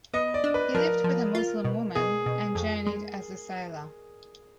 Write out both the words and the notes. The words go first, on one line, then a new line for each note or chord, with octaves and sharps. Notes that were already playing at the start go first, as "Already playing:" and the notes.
He lived with a Muslim woman and journeyed as a sailor.
B3 D#5
D5
D4
B4
F3 A#4
F3
F4
B2
B2 G#4
B2
F2
G#3